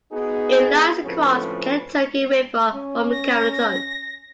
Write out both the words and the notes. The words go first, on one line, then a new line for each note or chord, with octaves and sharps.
It lies across the Kentucky River from Carrollton.
B3 D#4 F#4 G#4
D2 A2 F3 C4 C#4 B4
C#4
A#6